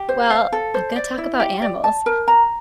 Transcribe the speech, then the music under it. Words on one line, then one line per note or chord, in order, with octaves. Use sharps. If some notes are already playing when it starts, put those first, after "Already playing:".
Well, I'm gonna talk about animals.
Already playing: G4
C5
F5
A4
C5
D5
E4
G4
D5
A5
A#4
A#5